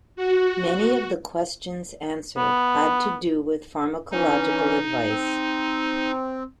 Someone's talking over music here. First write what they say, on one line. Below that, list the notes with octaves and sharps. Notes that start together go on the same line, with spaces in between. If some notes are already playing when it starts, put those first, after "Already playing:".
Many of the questions answered had to do with pharmacological advice.
F#4
B3
E3 C#4 D#4
C4